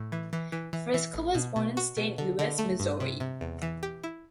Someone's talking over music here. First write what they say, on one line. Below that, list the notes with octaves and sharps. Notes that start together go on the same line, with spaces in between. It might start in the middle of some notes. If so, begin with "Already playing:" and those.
Frisco was born in Saint Louis, Missouri.
Already playing: A2
E3
E3
E3
E3
E3
A1
B2
B2
F#4
B2
D3
D3
A3
G2
C3
C3
E2
E3
G4
E4